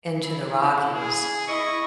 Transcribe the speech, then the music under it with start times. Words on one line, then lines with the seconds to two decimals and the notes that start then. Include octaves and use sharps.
into the Rockies,
0.21 E4
0.60 E4
0.93 G#4
1.47 E4 D#5 C#6